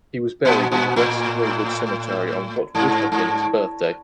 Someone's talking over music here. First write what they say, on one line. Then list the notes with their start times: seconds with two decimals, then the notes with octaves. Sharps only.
He was buried in West Norwood Cemetery on what would have been his birthday.
0.45 A#2
0.72 A#2
0.96 A2
2.75 G#2
3.12 G#2